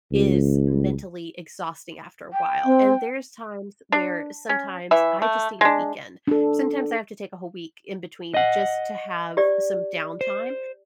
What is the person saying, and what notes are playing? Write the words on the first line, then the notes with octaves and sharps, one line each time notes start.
is mentally exhausting after a while, and there's times where sometimes I just need a weekend. Sometimes I have to take a whole week, in between, just to have some downtime,
C#2
G5
C4
D4
C#4
E3 E5
A3
G#3 D4
D4 A4
D#5 F#5
G4 D5
C5